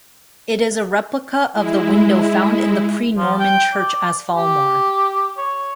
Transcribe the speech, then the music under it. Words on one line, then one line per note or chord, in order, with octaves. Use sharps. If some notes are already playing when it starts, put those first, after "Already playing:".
It is a replica of the window found in the pre-Norman Church as Falmore.
G#3 E4
F3
G5
D5
G4
C#5